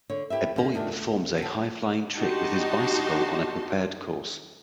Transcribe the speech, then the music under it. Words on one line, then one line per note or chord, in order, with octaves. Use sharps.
A boy performs a highflying trick with his bicycle on a prepared course.
D3 C#5
E4 G4 B4 E5
D#2 D3
F2 D#3 A3 D4
D2
F#3 A4
D4 D#4 F#4 G4 A5 C6